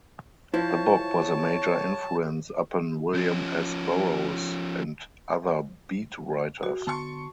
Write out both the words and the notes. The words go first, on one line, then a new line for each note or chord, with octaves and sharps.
The book was a major influence upon William S. Burroughs and other Beat writers.
F3 E4 C#5 A5
F3 C#4
F#4
D3 B3 A5 C6 C#6